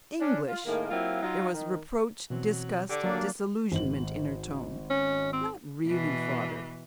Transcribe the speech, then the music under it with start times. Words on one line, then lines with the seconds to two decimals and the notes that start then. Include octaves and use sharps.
'English!' There was reproach, disgust, disillusionment, in her tone. 'Not really, father?'
0.20 C#4 D4
0.48 F4
0.65 A2 D#3 G#3 A#3
0.90 F#3 A#3 C4 E4 F4
1.22 F#3 D#4 F4
1.54 D#3
2.30 B2 E3 F#3 C4
2.89 D3 G4 D6
3.04 F#3 A#3 D4
3.72 G#1 F#7
4.90 C#4
5.33 C4
5.87 B2 E3